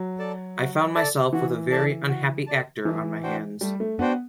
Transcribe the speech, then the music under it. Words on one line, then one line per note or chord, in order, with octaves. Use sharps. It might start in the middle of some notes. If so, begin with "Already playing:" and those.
I found myself with a very unhappy actor on my hands.
Already playing: F#3
A4 D5 A5
F#4
A4 D5 A5
E3 F#4
A4 D5 A5
F#4
A4 D5 A5
E3 A3
D4 F#4 C5 G5
G3 A3
A3
B3 D4 F#4 C5 G5